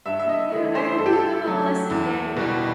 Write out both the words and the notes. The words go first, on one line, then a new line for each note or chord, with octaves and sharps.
M yeah, I hope you have a blessed day.
G2 E5
E5
D#5
E3 A3 D#5
C5
G2 A4
G4
A4
F#3 A3
E2
B2 G3